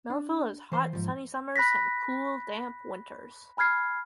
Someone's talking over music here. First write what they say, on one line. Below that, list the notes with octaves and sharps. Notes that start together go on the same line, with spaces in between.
Melville has hot sunny summers, and cool damp winters.
D4
E3 C5 A5 C6
G#2 C#3 F3
B5 F#6 A#6 B6
G#5 B5 F6 G#6 C7